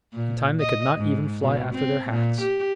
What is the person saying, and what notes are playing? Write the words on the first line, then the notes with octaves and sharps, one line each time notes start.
In time they could not even fly after their hats.
A#2
D#5
G#2
B2
C4
A#2
G4